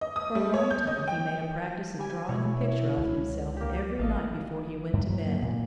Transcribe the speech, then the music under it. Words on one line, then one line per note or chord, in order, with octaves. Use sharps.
For a long time he made a practice of drawing a picture of himself every night before he went to bed.
D#5
D#6
G3
C#5
G6
D#5
G5
G3 G4 G#5
B2 E4 C#5
C#2
A#3 G4
A1 A4 D#5 F5
G2
F#3
A#3
A#2